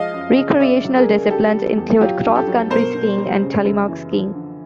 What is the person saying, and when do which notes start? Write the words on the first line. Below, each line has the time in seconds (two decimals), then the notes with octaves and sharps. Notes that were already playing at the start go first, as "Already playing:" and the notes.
Recreational disciplines include cross-country skiing and Telemark skiing.
Already playing: F3 G#3 D#5 F5
0.14 F#2
0.37 C#3
0.60 C#3 D5 E5
0.84 F#3
0.96 G#4 A#4
1.07 C#3
1.19 G#4
1.30 G3 G4 A4
1.54 G3
1.77 E2
2.01 F#3 F4 G4
2.24 G2
2.35 G4 A4
2.47 F#3
2.70 B2 A#4 C5
2.95 B2
3.17 G3
3.42 C#3
3.64 F#2
3.88 E3
4.11 F3
4.35 D3